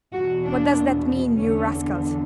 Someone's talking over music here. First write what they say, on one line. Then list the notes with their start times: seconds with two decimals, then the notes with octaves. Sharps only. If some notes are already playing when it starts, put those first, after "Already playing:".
What does that mean, you rascals?
0.13 E2 B2 F#4
0.44 D4
1.36 E2 D3 C#4